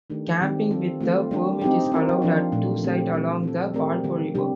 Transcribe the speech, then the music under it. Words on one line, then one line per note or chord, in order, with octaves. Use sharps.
Camping with a permit is allowed at two site along the Barcoo River.
D#3 A3 D4 G4 A#4
D#3 G3 C4 G4 D5
C4 F4 A4
A3 C4 F4
G3 A#3 D4 G4
C4 D#4 G4
C4 F4 A#4
F3 A#3 D4 F4
A#2 A3 D4
D3 A3 C4 G4
G3 C4 F4
C4 F4 A4
A3 C4 G4 A#4 D5
D3 G3 A#3
C3 G3 D4 G4